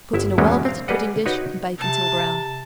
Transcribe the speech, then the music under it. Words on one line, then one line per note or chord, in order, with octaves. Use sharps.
Put in a well-buttered pudding-dish and bake until brown.
G1 E4 E5
E2 F#3 G#3 A#3 B3 C#4
C4 F5
G3 G#4 B4 D5 D#5 F#5
D#4 F#4 B4 C#5
C3 A5